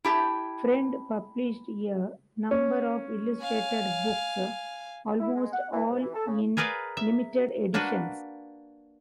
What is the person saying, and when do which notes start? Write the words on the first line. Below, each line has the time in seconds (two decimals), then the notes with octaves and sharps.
Friend published a number of illustrated books, almost all in limited editions.
0.04 E4 G4 A5
2.51 C#4
3.41 F5 G#5
5.20 E4
5.35 G#3
5.52 F#5
5.73 E3
5.89 G#2
6.00 E3
6.14 A4
6.27 C#3
6.57 G#4 A#4 B4 D5 F5
6.97 E5
7.74 A#3 D4 F#4 B4